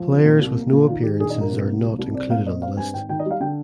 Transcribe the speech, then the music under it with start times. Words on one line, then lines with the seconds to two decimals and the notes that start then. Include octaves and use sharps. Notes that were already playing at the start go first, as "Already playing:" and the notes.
Players with no appearances are not included on the list.
Already playing: F3
0.09 C3
0.25 A#2
0.41 C2
0.56 A#3
0.72 A#2
0.88 D#3 F4
1.03 D#3 G4
1.19 A#1 G#4
1.30 D#5
1.36 A#1 A#4
1.52 C3
1.68 A#3
1.84 C2
1.99 C2
2.14 C4 D5
2.30 A#2 F5
2.46 C4 D#5
2.62 C4 F5
2.77 G2 G#5
2.94 G#1 G5
3.09 D#3 G5
3.19 D#5
3.25 G3
3.31 F5
3.40 D3 G5